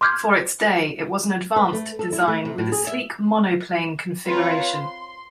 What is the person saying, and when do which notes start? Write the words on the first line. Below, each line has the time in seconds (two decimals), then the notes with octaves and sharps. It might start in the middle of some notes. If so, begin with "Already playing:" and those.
For its day, it was an advanced design, with a sleek monoplane configuration.
0.01 C6 D6 F6 G6 G#6
1.56 B4
1.73 A3
1.99 A4
2.13 E4
2.28 A3
2.45 C3
2.58 A2
2.72 G#4
2.87 E5
4.26 C4 F4 B4 C#5 A#5
4.68 C6